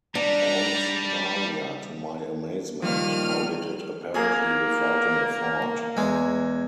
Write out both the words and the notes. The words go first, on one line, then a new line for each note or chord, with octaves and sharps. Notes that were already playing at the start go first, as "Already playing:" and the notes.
Aunt Dahlia, to my amazement, now did it apparently without an effort.
G3 D4 A#5
D#3 F3 G3 A#3 F6 D#7
A#3 G#4
E2 G#3